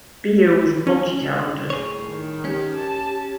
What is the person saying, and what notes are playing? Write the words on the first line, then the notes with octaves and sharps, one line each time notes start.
Beer was multi-talented.
C#4
A2 G#4 C#5
D#3
C#4 G4
A5